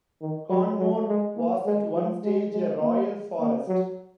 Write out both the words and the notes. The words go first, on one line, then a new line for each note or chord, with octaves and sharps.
Quernmore was at one stage a Royal Forest.
D#3
F#3
F#3
G#3
A#3
G#3
F3
G#3
G#3
A#3
A#3
F#3